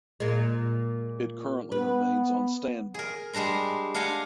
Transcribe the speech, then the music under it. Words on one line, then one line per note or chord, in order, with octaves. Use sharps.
It currently remains on standby.
A#2 G#3
B3 B4
G#4 A#4
G3 G#3 D4 A#5 C6
D4 F5 F#5 G#5 A#5 C6